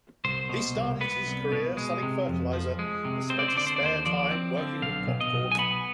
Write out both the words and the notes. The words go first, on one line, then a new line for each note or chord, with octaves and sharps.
He started his career selling fertilizer, but spent his spare time working with popcorn.
C2 C5
B2
C2
B3 B4
C2
B2
G#3
C3
F2
F3
G#3
C3
C4 C5
D5
C5
D3 D5
C5
D#2 D5
C5
F3 D5
C4
D3
B1 F5
B2
D#5
B1
G#5
B3 B5